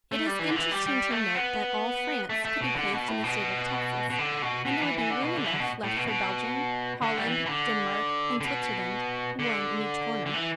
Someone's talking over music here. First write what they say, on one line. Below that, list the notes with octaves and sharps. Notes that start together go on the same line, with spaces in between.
It is interesting to note that all France could be placed in the state of Texas and there would be room enough left for Belgium, Holland, Denmark and Switzerland, one in each corner.
A3
G3
E3
D3
E3
G3
G3
A3
B3
A3
A3
B2
D3
B2
A2
B2
B2
D3
B2
B2
E3
E3
D3
B2
D3
E3
D3
B2
A2
B2
B2
D3
G3
E3
E3
D3
D3
B2
D3
D3
E3